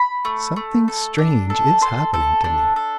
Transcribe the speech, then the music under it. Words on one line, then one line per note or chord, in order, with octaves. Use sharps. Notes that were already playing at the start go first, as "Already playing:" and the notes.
Something strange is happening to me.
Already playing: B5
A3
A3
A4
D4
A4
A4 C6
A4
D4
A4